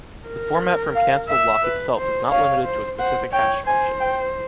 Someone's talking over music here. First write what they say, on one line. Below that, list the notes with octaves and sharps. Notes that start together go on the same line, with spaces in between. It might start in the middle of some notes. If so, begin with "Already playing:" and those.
The format from "Cancel-Lock" itself is not limited to a specific hash function.
A#4
F5
E5
B4
C5
C#5 F5
C5
C5 F#5
C#5 G5
C5 G#5
G5